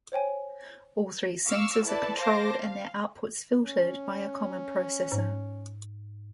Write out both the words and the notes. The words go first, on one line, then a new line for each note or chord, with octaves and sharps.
All three sensors are controlled and their outputs filtered by a common processor.
C5 C#5 G5 G#5
F5 C#6 D6 E6 F6
E4 A4 B4 D5 A5
C5 F5 A5 D6 A#6
F5
C#4
G#2